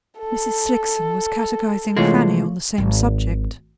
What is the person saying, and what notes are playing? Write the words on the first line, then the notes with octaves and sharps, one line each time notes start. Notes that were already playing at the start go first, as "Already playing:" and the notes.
Mrs. Slickson was catechising Fanny on the same subject.
A4
C3 E3 G#3 A3 F4 C#5
G#1